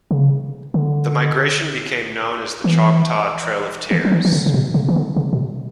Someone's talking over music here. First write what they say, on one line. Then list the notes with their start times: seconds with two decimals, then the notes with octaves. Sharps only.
The migration became known as the Choctaw Trail of Tears.
0.11 C#3
0.74 D3
2.64 E3
3.91 E3
4.05 F#3
4.12 E3
4.25 E3
4.32 D3
4.46 C#3
4.54 B2
4.74 C#3
4.89 E3
4.96 D3
5.16 C#3
5.33 B2